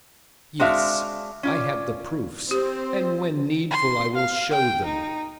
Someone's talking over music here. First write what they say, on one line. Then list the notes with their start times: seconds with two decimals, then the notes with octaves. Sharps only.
Yes, I have the proofs, and when needful I will show them.
0.60 G#3 C4 D4 F#4 E5 F5
1.43 C#4 F4 D5
2.51 C4 G4 C5
3.71 C6
4.15 F5
4.51 G5
4.85 D#4